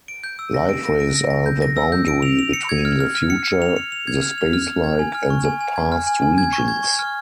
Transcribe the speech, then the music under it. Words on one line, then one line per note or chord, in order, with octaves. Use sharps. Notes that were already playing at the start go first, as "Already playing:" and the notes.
Light rays are the boundary between the future, the spacelike, and the past regions.
D7
G6
E6
A#6
D7
A#6
D7
A#6
A#6
G6
A#6
E6
G6
D7
F7
F7
C#7
G#6
F6
F6
F6
C#7
C#7
F7
C#7
F7
G#6
F6
F7
F6
F6
G#6
G#5
F6
C#6
G#5
G#5
G#6
F6
G#5
G#5
G#6
C#6
G#6
C#6
F6